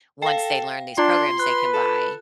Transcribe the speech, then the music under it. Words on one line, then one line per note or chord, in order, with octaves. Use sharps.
once they learn these programs they can buy
A4 F5 G5
D4 F4 C6
B4 F#6
A4